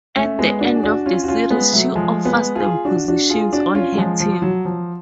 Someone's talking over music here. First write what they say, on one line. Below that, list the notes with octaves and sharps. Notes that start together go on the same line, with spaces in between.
At the end of the series she offers them positions on her team.
A3 C#4
G#3 B3
D4 F#4
G#4
D4 F#4
C#4 F4
F#4
C#4 F4
G#3 B3
F#3 A3
F3 G#3
G#3 B3
F4 G#4
D4 F#4
D4 F#4
F4 G#4
D4 F#4
C#4 F4
F#3
F3 G#3
F3
F#3
F3